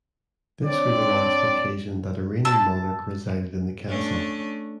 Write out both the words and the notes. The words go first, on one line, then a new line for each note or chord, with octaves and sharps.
This was the last occasion that a reigning monarch resided in the castle.
C4 D4 C#5 D5
A5 E6
A3 C#4 D4